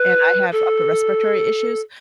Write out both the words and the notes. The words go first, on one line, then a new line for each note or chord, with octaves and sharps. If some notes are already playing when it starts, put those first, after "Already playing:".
and I have upper respiratory issues,
Already playing: B4
A4